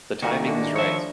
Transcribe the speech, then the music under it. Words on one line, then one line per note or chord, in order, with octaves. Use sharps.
The timing is right.
A#2 D#3 G3 A3 D#4 F#4 A#4
D3 E3 D4
F3 C#5 E5